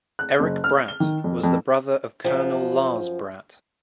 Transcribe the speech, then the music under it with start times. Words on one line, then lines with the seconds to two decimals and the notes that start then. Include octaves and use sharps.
Erik Bratt was the brother of Colonel Lars Bratt.
0.19 F#6
0.40 F#1
0.64 F6
0.88 G7
1.00 D#3
1.24 F2
1.44 F2
2.24 F#2 F3